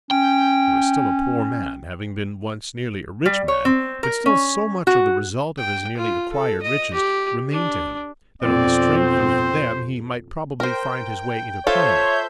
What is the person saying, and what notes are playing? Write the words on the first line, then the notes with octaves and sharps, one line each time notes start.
He was still a poor man, having been once nearly a rich man; but still so much of the result of his nearly acquired riches remained to him, that on the strength of them he might probably find his way into Parliament.
C#4 G5
G3
C#5
C4
A#4
C#4
F#4
G5
F4
A4
D#5
G4
D4
F2 B2 C4 D5
C5
A#4 C5 G5
F4 A4 C5 C#5 E5 G6